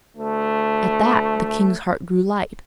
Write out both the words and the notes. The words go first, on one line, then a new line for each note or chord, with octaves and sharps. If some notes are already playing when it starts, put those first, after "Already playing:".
At that the king's heart grew light.
D2 A3